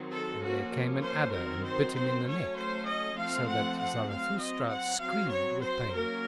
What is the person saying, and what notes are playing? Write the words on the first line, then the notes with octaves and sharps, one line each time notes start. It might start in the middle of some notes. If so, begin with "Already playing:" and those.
And there came an adder and bit him in the neck, so that Zarathustra screamed with pain.
Already playing: D#3 F#3 C4
A4
F3 A#3 C#4 F#4
C5
D#3 F#3 C4 A#4
C5
C5
F#3 A3 C#4 C#5
C5
D#5
F3 A3 C4 F5
F#5
F#5
F#3 F5
C4
D#5
F#5
F#3 C4 F5
C#5
C5
F#3 A#3 C#4 A#4